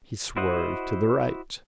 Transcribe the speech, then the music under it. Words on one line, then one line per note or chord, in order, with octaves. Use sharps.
He swerved to the right.
E4 F#4 C5 D#5 F#5